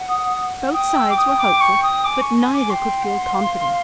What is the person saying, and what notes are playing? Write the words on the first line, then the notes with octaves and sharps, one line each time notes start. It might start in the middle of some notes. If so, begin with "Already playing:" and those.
Both sides were hopeful, but neither could feel confident.
Already playing: F#5
D#6
G5 D#6
E6
D6
D#6
D6
C#6
D#6
G#5 D6
C#6
G#5
D6
G5 C6
F#5
F5